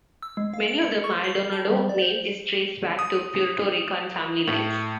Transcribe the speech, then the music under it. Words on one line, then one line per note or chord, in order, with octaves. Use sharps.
Many of the Maldonado name is traced back to Puerto Rican family lines.
E6
G#3
F5
D7
C#7
C#6
C7
A5
G3
D5
C5
D#6
A2